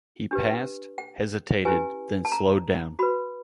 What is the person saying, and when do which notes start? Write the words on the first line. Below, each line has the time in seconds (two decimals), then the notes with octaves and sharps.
He passed, hesitated, then slowed down.
0.31 D4 G4 B4
0.98 G5
1.65 C#4 E4 G4 B4 G#5
2.25 A5
2.32 A#5
2.99 F#4 B4 B5